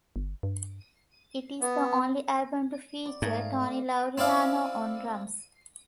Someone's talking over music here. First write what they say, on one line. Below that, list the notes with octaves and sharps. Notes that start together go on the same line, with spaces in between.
It is the only album to feature Tony Laureano on drums.
G1
G2
B3
D5
G#2 A3 F5
C4 E4 D5 F5